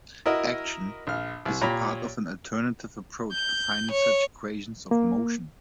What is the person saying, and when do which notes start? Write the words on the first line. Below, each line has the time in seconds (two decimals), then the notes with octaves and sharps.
"Action" is a part of an alternative approach to finding such equations of motion.
0.26 E4 F#4 A#4 D#5
1.07 A#1 F6
1.45 C2
1.61 A#2 G4 C#5 A#5 B5
3.32 G6
3.91 C#5
4.91 A#3